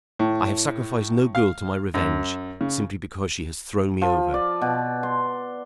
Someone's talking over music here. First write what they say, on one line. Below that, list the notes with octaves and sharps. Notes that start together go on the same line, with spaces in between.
I have sacrificed no girl to my revenge, simply because she has thrown me over.
A2
F5
F#2
C#3
F3
D5
B2
C6